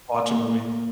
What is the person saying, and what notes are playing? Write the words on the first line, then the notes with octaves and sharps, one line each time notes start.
Watch a movie.
A#3